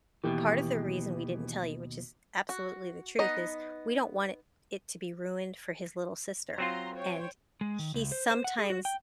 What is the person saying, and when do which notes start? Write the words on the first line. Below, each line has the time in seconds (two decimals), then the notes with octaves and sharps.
"Part of the reason we didn't tell you," which is absolutely the truth, is, we don't want it it to be ruined for his little sister, and he sometimes
0.24 D#2 B2 E3 G4
2.49 F#4
3.19 B3 D#4 D#5
6.58 F#3 C4 F4 A#5 C6
6.95 C5 C#5 G5
7.61 G#3
7.79 D#3
7.94 C#2
8.12 C5
8.31 C5
8.44 F#5
8.58 G#4
8.70 F#4
8.85 G5